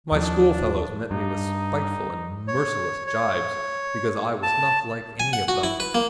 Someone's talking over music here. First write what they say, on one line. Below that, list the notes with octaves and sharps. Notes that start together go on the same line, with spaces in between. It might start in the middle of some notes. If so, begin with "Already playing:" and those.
My schoolfellows met me with spiteful and merciless jibes because I was not like any of them.
D#2 F3 D4
G2 D#4
C#5
C#5
A5
G#5
F#5
F#4
E4
B4
A#3